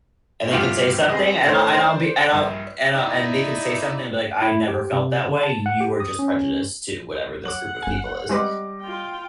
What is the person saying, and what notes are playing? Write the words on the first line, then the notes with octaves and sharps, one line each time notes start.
and they can say something, and I'll and I'll be and I'll and I and they could say something and be like, "I never felt that way, you are just prejudiced to whatever this group of people is,"
A1 G2 F4 G4 F#5
C4 G#4 B4 D#5
A1 A3 C5 C#5
D4 C5
A#1 G2
D#4 E4 D5
E4
G4
C3
D3
A5
F#5
G4
D#6
C#4
F#3 F#5 D6 F#7
G1 G#5
G3 G#3 C4 B4 D#5 D6
F4 G5